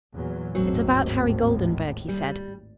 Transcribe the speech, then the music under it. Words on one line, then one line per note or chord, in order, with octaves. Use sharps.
"It's about Harry Goldenburg," he said.
E2 A#2 F#3
G#1 D#2 A2 F#3 C4
G3